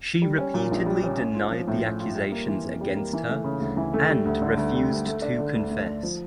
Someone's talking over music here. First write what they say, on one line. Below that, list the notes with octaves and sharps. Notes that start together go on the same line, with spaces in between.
She repeatedly denied the accusations against her and refused to confess.
G3
C#4
A#2
A#1
G3
C#4
C#4
F4
F3
A2
C#4
F4
G3
A#3
E3
F2
G3
A#3
E3
A3
C#3
D2
E3
A3
G3
D2
D3
D2
G3
D2
A3
D4
D3
D2
A3
D4
F3